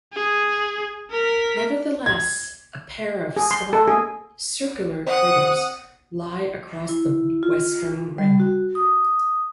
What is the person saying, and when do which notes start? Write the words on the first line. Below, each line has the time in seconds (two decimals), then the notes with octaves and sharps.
Nevertheless, a pair of small, circular craters lie across the western rim.
0.14 G#4
1.11 A#4 B6
2.06 G#6
3.37 G#4
3.51 C6
3.73 A4
3.88 G#4
5.06 C4 F#5 D#6
6.89 E4
7.43 F4
8.18 G3
8.40 F#4
8.75 D#6